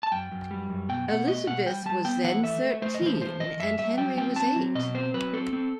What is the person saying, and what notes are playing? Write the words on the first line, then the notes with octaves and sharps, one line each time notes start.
Elizabeth was then thirteen and Henry was eight.
A5
F#2 G5
F#2
G3
F#2
B2 G5
B2 F#5
A3 D#5
B2 F#5
G3 G5
G3 A5
B3 G5
E3 F#5
A3 E5
A3
A3 C5
D#5
E3 C5
E3 C5
E3 D#5
F#2 E5
G3 E5
F#3 G5
C4 G5
C4 A5
F#3
B2 D#5
C4 C5
F#3 B4
C4 A4
C4